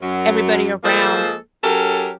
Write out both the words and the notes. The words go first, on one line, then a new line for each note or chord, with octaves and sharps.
everybody around,
F#2 F#3
F3 G#3 A#3 G#4 A4 C5
F#3 C#4 G4 A4 A#4